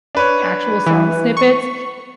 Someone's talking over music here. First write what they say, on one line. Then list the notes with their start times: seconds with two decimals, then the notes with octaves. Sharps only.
actual song snippets,
0.15 D4 B4 C#5
0.86 E3
1.37 C#6